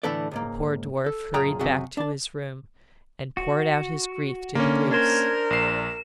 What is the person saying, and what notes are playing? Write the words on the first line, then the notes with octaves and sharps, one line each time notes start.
The poor dwarf hurried back to his room, and poured out his grief to the goose.
A2 D3 E3 A4 B4 D5
C#2 G#2 A#3
A4
F#2 A#2 G#4 G5 A5 A#5
F#2 C3 F#4 G#4
D4 A5
F#4
D3 A#3 C#4
D4 A#4 C5 G#6
A#1 C7 E7